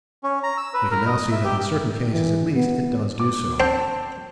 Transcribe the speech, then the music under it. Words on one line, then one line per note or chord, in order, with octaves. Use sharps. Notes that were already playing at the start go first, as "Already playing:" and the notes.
We can now see that in certain cases, at least, it does do so.
C#4
A#5
E6
B4
A#4
D#5
E5
G4
E3
B3
D6
C4 A5 G6